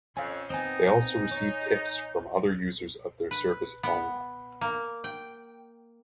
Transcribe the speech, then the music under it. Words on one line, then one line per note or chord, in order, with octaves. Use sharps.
They also receive tips from other users of their service online.
F2 C#4 F5 G#5
B3 C4 D#4 G#5 D#6
C#5
B4
B3
A#3
G5